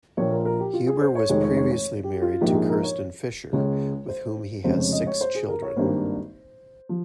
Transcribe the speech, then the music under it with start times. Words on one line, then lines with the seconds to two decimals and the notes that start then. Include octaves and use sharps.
Huber was previously married to Kirsten Fischer, with whom he has six children.
0.17 A#1 A#2 F3 C#5
0.31 A#4
0.45 A#4
0.60 G4
0.73 F4
0.87 G#4
1.01 C5
1.15 C#5
1.29 F1 F2 D#3 G#3 C#5
1.43 C#5
1.57 C#5
1.71 C#5
2.04 G4
2.22 F4
2.41 A#1 G#2 F3 A#3 G4
2.55 G#4
2.69 A#4
2.83 C#5
3.53 C#2 C#3 G#3 C#5
4.08 C5
4.64 F1 F2 C#3 G#3 C5
4.78 C#5
4.92 D#5
5.07 C#5
5.21 C5
5.35 G#4
5.49 A#4
5.62 C#5
5.76 G#1 G2 G3 A#3 C5
6.89 F3